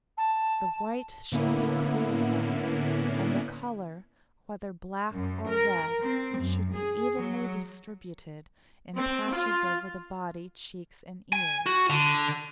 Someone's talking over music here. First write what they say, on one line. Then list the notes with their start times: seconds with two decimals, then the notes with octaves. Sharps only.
The white should be clear white, and the colour, whether black or red, should be evenly distributed in patches over the body, cheeks, and ears.
0.17 A5
1.32 A2 D3 A#3 B3 C#4 E4
5.14 F#2
5.49 A#4
6.03 C4
6.41 F#2
6.76 G#4
7.18 F#3
8.96 C4
9.34 F4
11.33 G#5
11.66 F#4
11.90 D3